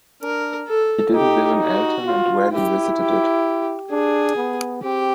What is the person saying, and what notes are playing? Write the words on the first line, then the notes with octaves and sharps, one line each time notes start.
He didn't live in Elton and rarely visited it.
D4 A#4
A4
D#4 G4
F#4
F4
E4 G4
G4
D4 G#4
B3
C4 G4